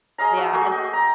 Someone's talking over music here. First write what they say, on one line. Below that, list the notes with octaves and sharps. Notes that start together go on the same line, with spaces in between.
Yeah, and
G#4 D#5 F5 A#5
F#4 E5
A3 A#3 F#4 G#4
D#5 G5
A#5